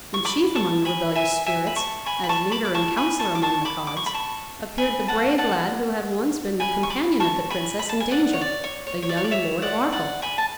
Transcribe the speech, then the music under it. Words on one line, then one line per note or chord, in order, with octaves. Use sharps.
And chief among the rebellious spirits, as leader and counsellor among the Cods, appeared the brave lad who had once been the companion of the princess in danger, the young Lord of Arkell.
C#6
B5 D6
A5 C#6
G#5 B5
E5 G#5
E5 G#5
B5
A5 C#6
G#5 B5
B5
A5 C#6
B5 D6
D6
A5 C#6
G#5 B5
A5 C#6
D6
A5 C#6
B5 D6
D6
C#6
B5
A5 C#6
G#5 B5
F#5 A5
F#5 A5
G#5 B5
C#6
B5 D6
A5 C#6
G#5 B5
B5
A5
G#5
D5 F#5
C#5
D5
C#5
C#5
C#5
D5
C#5
D5
C#5 E5
D5 F#5
D5 F#5
G#5 B5
A5